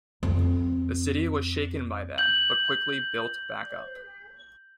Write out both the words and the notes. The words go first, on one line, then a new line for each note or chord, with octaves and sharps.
The city was shaken by that, but quickly built back up.
F2 C4
G6 F#7